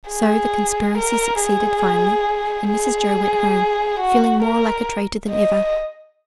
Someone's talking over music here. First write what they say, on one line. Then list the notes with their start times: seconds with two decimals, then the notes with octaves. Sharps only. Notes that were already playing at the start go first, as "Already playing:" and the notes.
So the conspiracy succeeded finely; and Mrs Jo went home, feeling more like a traitor than ever.
0.10 G#4
0.98 A#4
1.41 G#4
2.70 G#4
4.00 F#4
4.43 A#4
5.30 D#5